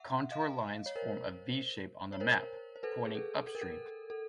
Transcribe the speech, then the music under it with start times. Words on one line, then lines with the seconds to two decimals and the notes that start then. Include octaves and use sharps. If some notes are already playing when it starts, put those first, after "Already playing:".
Contour lines form a V-shape on the map, pointing upstream.
Already playing: E5 F#5
0.32 D#5 F5
0.86 C#5
0.96 A#4 C5
2.13 C#5
2.20 A#4 C5
2.76 C5
2.83 A4 B4
3.05 G#4
3.15 A4
3.47 A4
3.55 A#4
3.61 A4
4.10 A4